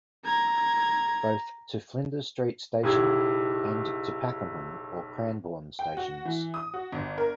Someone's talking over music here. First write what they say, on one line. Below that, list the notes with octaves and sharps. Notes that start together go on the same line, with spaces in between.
Both to Flinders Street station and to Pakenham or Cranbourne stations.
A#5 G#6
F#1 B1 E4 G4 D#6 G#6
G5
F#4
E3
D#6
F#4
G1
A#4